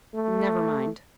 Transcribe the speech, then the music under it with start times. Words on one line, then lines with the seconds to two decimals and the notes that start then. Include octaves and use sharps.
Never mind.
0.15 A3